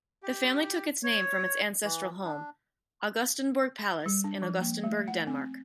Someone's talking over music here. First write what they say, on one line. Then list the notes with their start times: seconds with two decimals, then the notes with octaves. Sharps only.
The family took its name from its ancestral home, Augustenborg Palace, in Augustenborg, Denmark.
0.23 G4
1.04 C#5
1.84 E3
2.24 D4
4.06 G3
4.24 D4
4.42 F3
4.60 A#3
4.84 A3
5.08 F#5
5.27 C4